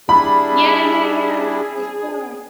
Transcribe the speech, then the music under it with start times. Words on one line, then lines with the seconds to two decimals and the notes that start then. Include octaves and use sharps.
Yeah, yeah, yeah. For sure.
0.09 G3 D4 E4 G#4 B5